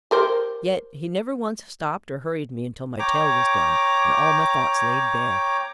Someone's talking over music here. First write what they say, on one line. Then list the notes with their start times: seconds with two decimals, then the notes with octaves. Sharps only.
Yet he never once stopped or hurried me, until my tale was done, and all my thoughts laid bare.
0.11 G4 A#4 C5
2.99 C#5 G5 A#5 D6